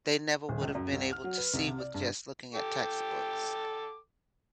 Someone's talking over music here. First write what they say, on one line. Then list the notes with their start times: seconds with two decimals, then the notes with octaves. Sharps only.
they never would have been able to see with just looking at textbooks.
0.49 D#1
0.62 C#2
0.75 F#2
0.92 C2
1.13 F6
1.24 F#3
1.37 B4
1.54 C2
1.67 C3
1.78 D5
1.94 G2
2.55 A4 G5 D6